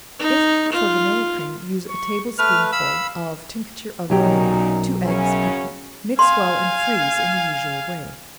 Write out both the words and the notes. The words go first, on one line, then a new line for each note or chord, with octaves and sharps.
If for vanilla cream; use a table-spoonful of tincture of vanilla, two eggs beaten; mix well and freeze in the usual way.
D#4
F4
C#6
A3 B4 F6
F5 B5 E6
B1 F#2 A#2 F#3 D#4 G4
F#2 C#3 C#4
F5 G#5 C6